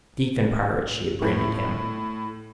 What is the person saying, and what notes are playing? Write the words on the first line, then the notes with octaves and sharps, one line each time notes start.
Thief and pirate she had branded him.
A2